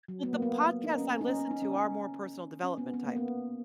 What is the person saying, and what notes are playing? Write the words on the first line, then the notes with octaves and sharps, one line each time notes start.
Well, the podcasts I listen to are more personal development type
F#3
B3
A#3
B3
D#4
C#4
D#4
C#4
C#4
D#4
C#4
D#4
C#4
B3
B3
A#3
B3